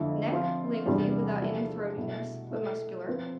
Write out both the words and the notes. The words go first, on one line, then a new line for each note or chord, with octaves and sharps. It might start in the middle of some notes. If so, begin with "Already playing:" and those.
NECK--Lengthy, without any throatiness, but muscular.
Already playing: F2 D3 F3 A3 E4
F3 C4 F4
E2 C3 G3 D4
F3 A3 E4 A4
B2 A3 E4
A3 E4 A4
F3 C4 F4 B4